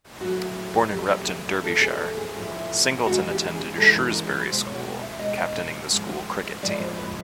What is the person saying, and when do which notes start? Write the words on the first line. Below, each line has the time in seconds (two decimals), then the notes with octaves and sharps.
Born in Repton, Derbyshire, Singleton attended Shrewsbury School, captaining the school cricket team.
0.21 A2 F#3 A3 F#4
0.92 A2 F#3 A3 G4
1.63 A2 F3 A3 A4
1.81 G#4
1.99 A4
2.17 G#4
2.35 A2 F3 A3
3.06 C#3 E3 G#3 F#4
3.30 G4
3.54 G#4
3.77 C#3 E3 G#3 A4
3.95 A#4
4.13 A#4
4.31 B4
4.48 B2 C5
4.52 G#3
4.66 C#5
5.02 E5
5.19 B2 G#3 D#5
5.91 A2 F3 G#3
6.63 A2 F3 G#3 D5
6.80 C5
6.98 B4